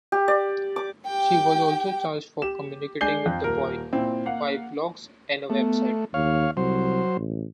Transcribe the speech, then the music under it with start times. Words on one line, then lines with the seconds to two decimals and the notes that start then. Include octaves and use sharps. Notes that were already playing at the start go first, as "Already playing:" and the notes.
She was also charged for communicating with the boy via blogs and a website.
0.12 G4
0.28 D5
0.76 D6
1.07 G4 G5
2.42 G4 E7
3.01 G#3 D4 G#5 G6 C7 G7
3.26 F2
3.44 D#1 A#4
3.93 A#2 C4 E4
4.25 A#3 F5 F#5
5.50 A3 B3
6.14 D#2 C#5 F5
6.57 C2 F#3 C5
7.16 A1